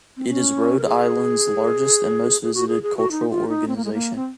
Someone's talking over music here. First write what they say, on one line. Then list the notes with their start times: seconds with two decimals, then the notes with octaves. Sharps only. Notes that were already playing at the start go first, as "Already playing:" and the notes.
It is Rhode Island's largest and most-visited cultural organization.
0.17 C4
0.29 C#4
0.79 A#4
0.85 G#4
2.43 G#4
2.55 F#4
2.68 G#4
2.83 G#4
2.97 F#4
3.11 D#4
3.30 F4
3.49 D#4
3.68 C4
3.76 A#3
3.85 G#3
3.94 A#3
4.16 C4